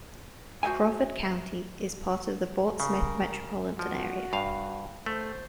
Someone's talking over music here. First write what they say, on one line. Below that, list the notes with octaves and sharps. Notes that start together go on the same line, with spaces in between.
Crawford County is part of the Fort Smith metropolitan area.
F#4 C5 D#5 E5 G#5
C#3 A#4
F3 F#4
G2 F5
A3 C5